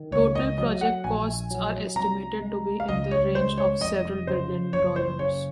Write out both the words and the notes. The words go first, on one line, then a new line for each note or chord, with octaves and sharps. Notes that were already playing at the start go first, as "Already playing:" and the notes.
Total project costs are estimated to be in the range of several billion dollars.
Already playing: D#3
C#2 C#5
D#5
F#3 D#5
F#5
A#1 G#5
F#3
C2 A#5
G#3
F5
C#2 D#5
C#5
G#3 C5
C#5
F1 D#5
C#3 C5
F#1 C#5
C5
C#3 C#5